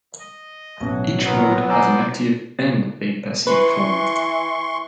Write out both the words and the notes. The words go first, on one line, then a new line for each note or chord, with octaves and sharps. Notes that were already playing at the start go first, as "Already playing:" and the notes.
Each mode has an active and a passive form.
D#5
A1 B2 F#3
D#3 B3 A#5
C5 D5 G#5 A#5 E6
E3 B4 C6 C#6